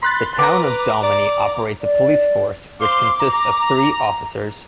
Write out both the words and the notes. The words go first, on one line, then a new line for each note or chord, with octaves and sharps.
The town of Dalmeny operates a police force which consists of three officers.
B5 C6 F#6 A6
B4 A#5 D6
D5
D5
C5 F5 C6 D6
A#5